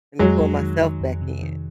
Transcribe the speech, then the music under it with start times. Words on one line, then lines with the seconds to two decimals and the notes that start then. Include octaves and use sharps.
let me pull myself back in."
0.19 F2 F#3 G#3
0.40 F2
0.61 D#3
0.80 D#3
1.01 F2
1.22 C3
1.42 D#3